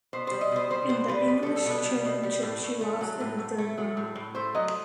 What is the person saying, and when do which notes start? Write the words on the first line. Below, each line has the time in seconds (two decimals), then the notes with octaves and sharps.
In the English championship she lost in the third round.
0.13 B2 C5
0.27 G3 C5
0.41 D#5
0.52 B2 C5
0.70 G3 C5
0.89 B2 C5
1.08 G3 B4
1.28 B2
1.43 G3 A4
1.56 A4
1.66 B2 B4
1.85 G3
2.05 B2
2.23 G3
2.43 A2
2.62 A2
2.81 A3
3.01 F#3
3.20 A2
3.39 A2
3.58 A3
3.77 F#3
3.97 A2
4.15 A2
4.35 A3 C5
4.55 F#3 D#5